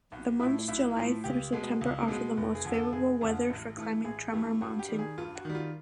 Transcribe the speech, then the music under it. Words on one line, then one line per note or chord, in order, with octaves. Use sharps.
The months July through September offer the most favorable weather for climbing Tremor Mountain.
B1 F#4
A2 F3 E4
B1 E4
A2 F3
C#2 G4
B2 G#3 B3
C#2
B2 G#3 B3
F1
G#4
F2 D3
A4
F1 G#4
F2 D3
A1
G2 E3 A3
A1 G#4
G2 E3 A3 G4
G2 F#4
G4
D#3 G3
G#4
G2 F4
F#4
D#3 G3
F4